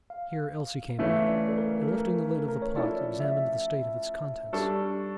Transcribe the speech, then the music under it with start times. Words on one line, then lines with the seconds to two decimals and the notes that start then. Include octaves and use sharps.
Here Elsie came back, and lifting the lid of the pot, examined the state of its contents.
0.10 F5
0.99 C#3 E3 A3 C#4 E5
1.28 D5
1.48 A4
1.58 A#4
1.83 A4
1.88 A#4
2.49 A#4
2.62 C#5
2.76 F3 C#4 E4 A4 D5
3.20 E5
4.53 G3 D4 A4 C#6